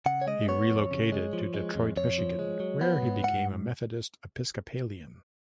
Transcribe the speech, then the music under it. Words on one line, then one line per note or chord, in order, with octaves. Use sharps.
He relocated to Detroit, Michigan where he became a Methodist Episcopalian.
C#3 F#5
C#5
G#3 D#5
B3 C#5
F2
C#3
G#3
F3
G#3
F2
F2 C#5
F3
G#3
F#3
B3
G#2
G#2 F#5